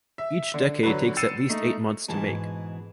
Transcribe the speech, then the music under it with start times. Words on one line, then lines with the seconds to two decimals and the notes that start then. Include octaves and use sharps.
Each decade takes at least eight months to make.
0.18 E5
0.54 D3
0.83 D3 F#3 F#4 B4
1.17 E6 A6 C7 C#7 D#7 E7
1.49 A3 D#4
2.08 G#2 B2 E3 G#4 A5